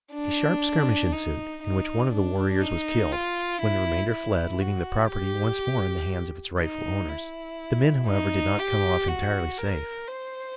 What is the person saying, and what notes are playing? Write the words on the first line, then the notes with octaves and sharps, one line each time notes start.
A sharp skirmish ensued in which one of the warriors was killed, when the remainder fled, leaving the property once more in the hands of its rightful owners. The men however did not come off entirely safe.
D4
D#4
D#4
D4
D#4
F4
E4
E4
F#4
G4
D#4
E4
D#4
G4
F#4
A#4
C5